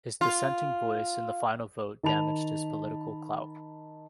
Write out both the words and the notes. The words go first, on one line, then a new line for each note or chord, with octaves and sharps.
His dissenting voice in the final vote damaged his political clout.
F4
D#3 A5 B5 F7